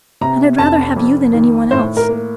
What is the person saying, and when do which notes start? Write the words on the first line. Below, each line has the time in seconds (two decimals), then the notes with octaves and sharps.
And I'd rather have you than any one else.
0.21 C3 A#5
0.58 F1 A5
0.96 F2
1.33 D#3
1.71 A2 C5
1.97 A#4
2.09 A#3